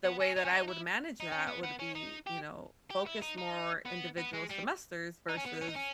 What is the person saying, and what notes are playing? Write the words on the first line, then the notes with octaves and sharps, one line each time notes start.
The way that I would manage that would be, you know, focus more individual semesters versus
B3
C#4
D#4
C#4
D#4
E4
D#4
C#4
B3
B3
C#4
D#4
G4
G4
E4
D#4
D#4
B3
B3
G#3
G3
D#4
C#4
B3
C#4
D#4
C#4